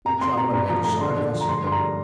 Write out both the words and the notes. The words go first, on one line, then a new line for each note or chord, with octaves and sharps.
The traveler made a sign of assent.
C3 A#5
C4 C6
C3 A#5
G2 A#5
F3 A#5
A3 A#5
D3 C6
D3
F3
A#5
D3 C6
G2 C6
A#5
G3